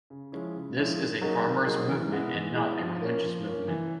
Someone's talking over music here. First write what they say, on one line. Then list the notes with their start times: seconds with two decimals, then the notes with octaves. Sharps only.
This is a farmers' movement and not a religious movement.
0.10 C#3
0.32 F3 G#3 C#4 E4
0.55 C#3
0.77 F3 G#3 C#4 E4
1.00 D#3
1.21 F#3 A#3 D#4 G#4
1.44 D#3
1.66 F#3 A#3 D#4 G#4
1.88 E3
2.12 G#3 B3 E4
2.34 E3
2.56 G#3 B3 E4
2.79 F3
3.01 A#3 C#4
3.24 F3
3.46 A#3 C#4
3.68 E3